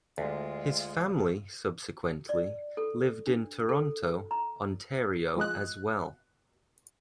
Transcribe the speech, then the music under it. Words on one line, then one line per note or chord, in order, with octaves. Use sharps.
His family subsequently lived in Toronto, Ontario as well.
D2 G#3 F4
D5
A4
D4
A4
A#5
F3 G#3 D#5 F#6